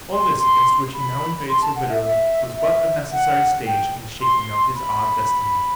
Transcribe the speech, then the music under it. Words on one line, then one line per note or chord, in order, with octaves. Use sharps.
All this against which he now inveighed so bitterly was but a necessary stage in the shaping of his odd destiny.
C6
C6
B5
C6
A5
F#5
E5
E5
E5
F#5
G5
C6
B5